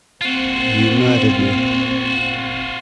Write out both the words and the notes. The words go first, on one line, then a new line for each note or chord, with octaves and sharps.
You murdered me.
A#2 C4 F4 F#4